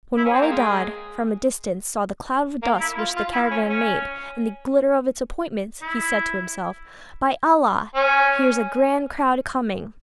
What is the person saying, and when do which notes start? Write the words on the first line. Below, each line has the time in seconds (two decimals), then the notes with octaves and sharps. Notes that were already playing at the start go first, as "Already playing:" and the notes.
When Wali Dad from a distance saw the cloud of dust which the caravan made, and the glitter of its appointments, he said to himself: 'By Allah! here's a grand crowd coming!
0.17 E4
0.26 C#4
0.34 C4
0.42 A#3
0.50 G#3
2.63 A#3
2.81 E4
2.98 F4
3.16 F4
3.34 E4
3.51 C#4
3.69 C#4
5.82 E4
7.95 C#4